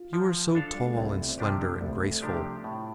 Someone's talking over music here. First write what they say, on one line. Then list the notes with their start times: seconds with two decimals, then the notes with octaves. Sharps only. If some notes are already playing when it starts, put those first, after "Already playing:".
You are so tall and slender and graceful.
Already playing: F4
0.13 F3
0.55 D4 A4 F5
0.74 G3
0.86 A3
0.97 C2 C4
1.39 C3 F3 D4 G4
1.81 C2 A3
2.22 C3 F3 D4 G4
2.64 A2